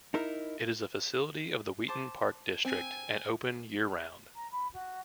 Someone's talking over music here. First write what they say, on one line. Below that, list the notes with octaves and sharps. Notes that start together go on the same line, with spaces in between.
It is a facility of the Wheaton Park District and open year round.
D#4 E4 A#4
C5 A5 D6
C4 G#5
A#5
B5
F#4